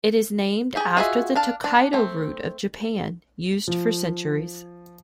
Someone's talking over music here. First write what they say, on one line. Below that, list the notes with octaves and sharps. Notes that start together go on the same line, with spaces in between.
It is named after the Tokaido route of Japan, used for centuries.
G4 G#4
F4 F#4 G#4 D#5 E5
D4 F5 A5
D4
A3 C4
F3